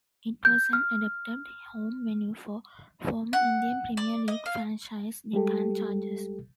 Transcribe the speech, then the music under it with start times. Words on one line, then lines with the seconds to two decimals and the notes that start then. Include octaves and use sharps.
It was an adopted home venue for former Indian Premier League franchise Deccan Chargers.
0.45 G6
0.73 F6
3.33 F#5
3.97 D5
4.28 D#5
4.46 F5
5.33 G3 G#3 G4 A4